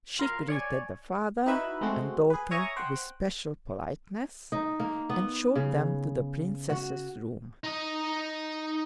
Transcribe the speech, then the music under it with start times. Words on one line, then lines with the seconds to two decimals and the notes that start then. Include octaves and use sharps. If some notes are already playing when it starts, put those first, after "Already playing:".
She greeted the father and daughter with special politeness and showed them to the princess' room.
0.19 F4 A#4 F5
0.49 C#5 D5 G#5
1.46 D#4 E4 F#4 B4 E5 B5
1.81 G#3 A3 C4 F#4
2.30 G#4 B4
2.51 C#5 E5 G#5 A#5 C#6 D#6
2.76 C5 F#5 G5
4.52 D#4
4.80 A#3
5.09 B3
5.56 C#3
6.70 F#4
7.64 D#4 D#5